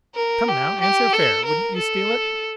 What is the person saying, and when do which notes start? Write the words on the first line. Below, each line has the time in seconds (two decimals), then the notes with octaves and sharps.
Come, now, answer fair--wouldn't you steal it?
0.15 A#4
0.48 G4
0.81 G4
1.13 A4
1.45 A#4
1.77 A4